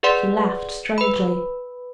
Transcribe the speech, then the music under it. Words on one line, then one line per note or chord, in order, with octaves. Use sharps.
She laughed strangely.
G#4 B4 D5 F#5 C6
B4 B5